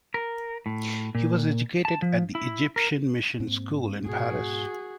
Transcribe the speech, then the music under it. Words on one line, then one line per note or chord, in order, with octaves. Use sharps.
He was educated at the Egyptian Mission School in Paris.
A#4
A2
A#2
A5
F3
E4
A#4
G#2 A#3 C4
G#2 B2 F#4 G#4